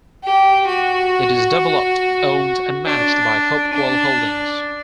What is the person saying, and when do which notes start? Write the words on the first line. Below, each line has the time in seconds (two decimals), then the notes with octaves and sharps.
It is developed, owned and managed by Hopewell Holdings.
0.23 G4
0.67 F#4
2.87 D4
3.73 D4